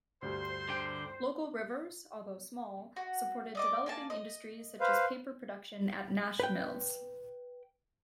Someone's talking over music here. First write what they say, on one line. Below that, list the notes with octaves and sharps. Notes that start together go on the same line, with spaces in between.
Local rivers, although small, supported developing industries such as paper production at Nash Mills.
D2 G2 G3 C5 C6
D3 G5
F#4
D5 D#5 D6
A#3 G#5 A5
D#5
B4 C5 F5
B4 G5